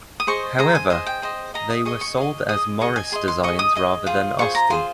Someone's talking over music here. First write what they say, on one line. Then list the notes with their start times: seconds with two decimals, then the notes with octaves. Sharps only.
However, they were sold as Morris designs rather than Austin.
0.20 D#6
0.27 G#4 C5 D#5 C#6
0.59 G#4 C5 D#5 A#5
0.75 G#5
0.90 G#4 C5 D#5 G#5
1.06 G5
1.22 G#4 C5 D#5
1.54 G#4 D#5 A#5
1.70 D#6
1.85 G#4 D#5 C#6
2.01 C#6
2.17 G#4 D#5
2.49 G#4 D#5 D#6
2.80 G#4 D#5 C#6
2.96 G#5
3.12 G#4 D#5 C6
3.28 C6
3.43 G#4 D#5 C#6
3.59 D#6
3.75 G#4 D#5
4.06 F4 G#4 C5
4.38 F4 G#4 C5 C#6
4.55 A#5
4.70 F4 G#4 C5 C6